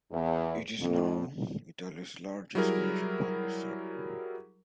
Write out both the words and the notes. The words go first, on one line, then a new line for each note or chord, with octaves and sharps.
It is now Italy's largest music publisher.
E2
F2
F#3 G3 E4 G#4 A#4